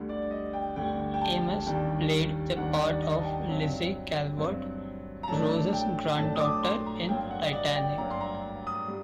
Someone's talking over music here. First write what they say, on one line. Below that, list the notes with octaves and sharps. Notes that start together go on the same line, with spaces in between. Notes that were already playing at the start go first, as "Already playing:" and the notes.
Amis played the part of Lizzy Calvert, Rose's granddaughter, in "Titanic".
Already playing: D2 D3 G3
D5
D#5
G5
D2 D3 G3 G5
G5
A5
D#2 D#3 G3 D4 G5
D#2 D#3 G3 D4 F#5
D5
D#5
A5
G5
G2 F#3 C4
G2 F#3 C4
A#5
A2 F#3 A3 D4 A5
G5
A2 F#3 A3 D4 A5
D#6
D6
C6
A#5
G2 F#3 A#3 G5
F#5
D#5
D5
G5
G2 F#3 A#3 A#5
C6
A#5
D#6
G3